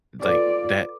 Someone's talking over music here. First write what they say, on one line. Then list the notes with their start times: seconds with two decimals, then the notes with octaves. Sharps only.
Like, that
0.22 F4 A4 B4 D5 D6